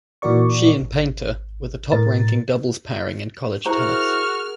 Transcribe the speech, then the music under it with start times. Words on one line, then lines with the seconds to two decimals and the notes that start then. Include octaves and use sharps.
She and Paynter were the top ranking doubles pairing in college tennis.
0.22 A#2 E3 F#4 A#4 D5 C#6
0.82 G#1
1.92 A2 A#4 A6
3.65 E4 F#4 G#4 A#4 C5 A#5 F6